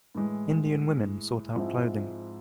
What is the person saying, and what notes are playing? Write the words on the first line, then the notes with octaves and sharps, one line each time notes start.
Indian women sort out clothing.
A2 E3 G#3
G#2 F3 G#3 C4 E4